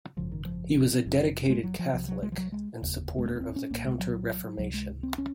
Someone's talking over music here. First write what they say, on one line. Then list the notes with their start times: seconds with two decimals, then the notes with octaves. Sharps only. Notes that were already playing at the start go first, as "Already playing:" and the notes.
He was a dedicated Catholic and supporter of the Counter-Reformation.
0.17 G#1 F#2 C#3 F3
0.32 D#3
0.46 F3
1.06 F#1 F#2 C#3
1.50 G#3
1.64 F#3
1.79 F3
1.93 C2 C3 F3
2.08 F#3
2.23 G#3
2.32 F3
2.38 F#3
2.52 G#3
2.82 F1 D#2 C#3
3.18 G#3
3.26 A#3
3.36 A#3
3.41 C4
3.56 C#4
3.70 C2 A#2 A#3
3.85 G#3
3.99 F#3
4.58 C#2 C3 F#3
4.74 G#3
5.03 C4
5.18 C#4